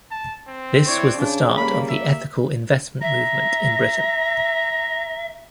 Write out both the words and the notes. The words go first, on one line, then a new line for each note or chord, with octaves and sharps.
This was the start of the ethical investment movement in Britain.
A5
C4
E4 C#5 D5
C#3 D4
G3 A#3 B5
E5
E5 A#5